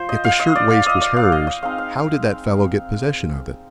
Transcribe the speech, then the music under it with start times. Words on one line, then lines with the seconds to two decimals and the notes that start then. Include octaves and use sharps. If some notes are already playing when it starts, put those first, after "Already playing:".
If the shirtwaist was hers, how did that fellow get possession of it?
Already playing: F3 C5
0.09 D#5
0.24 F5
0.40 D#5
0.55 D5
0.70 F5
0.86 D#5
1.01 D5
1.16 F5
1.32 D#5
1.47 D#5
1.62 G#3 C4 D#4 F5
1.78 F5